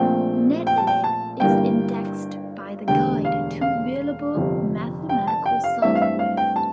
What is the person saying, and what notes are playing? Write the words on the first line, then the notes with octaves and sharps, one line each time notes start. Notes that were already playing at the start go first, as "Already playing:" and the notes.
Netlib is indexed by the Guide to Available Mathematical Software.
Already playing: A#1 A#2 A3 C4 G5
G5
A5
G5
A5
G1 G2 E3 G3 A#3 G5
E1 D2 D3 G3 G5
F5
F5
G1 F2 C3
G5
A5
G5
F5
G2 E3 A3 C4 E5
F5
E5
F5
G5
A5